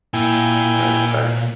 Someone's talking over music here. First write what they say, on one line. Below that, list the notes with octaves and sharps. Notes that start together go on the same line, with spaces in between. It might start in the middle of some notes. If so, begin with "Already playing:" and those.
Right, bye.
A#2 E4 G5 G#5